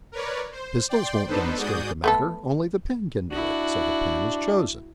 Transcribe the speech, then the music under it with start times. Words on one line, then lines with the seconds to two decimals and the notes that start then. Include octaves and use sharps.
Pistols won't demonstrate the matter; only the pen can do it, so the pen is chosen.
0.12 A#4 B4 C#5 D5
0.52 C5
0.88 D5 G5 C6
1.26 B3 D4 D#4 A4 B4 C5
1.56 G#2 F#4 G#4 D5 D#6 G6
2.04 A3 B3 A4
3.31 D4 E4 F#4